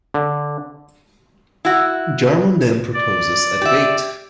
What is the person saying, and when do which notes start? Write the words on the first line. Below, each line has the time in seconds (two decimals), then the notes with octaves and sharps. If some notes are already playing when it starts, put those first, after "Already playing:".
Jarmon then proposes a debate.
0.14 D3
1.65 E4 F#4
2.94 D5
3.62 G4 E5